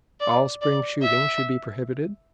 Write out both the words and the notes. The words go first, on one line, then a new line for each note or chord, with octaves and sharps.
All spring shooting should be prohibited.
D5
D5
E5